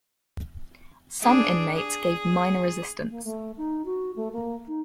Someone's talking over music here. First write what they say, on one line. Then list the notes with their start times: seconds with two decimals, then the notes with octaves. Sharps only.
Some inmates gave minor resistance.
1.22 D4 G#4
1.75 G#4
3.10 A#3
3.24 A3
3.57 D#4
3.85 F#4
4.16 A3
4.33 A#3
4.68 D#4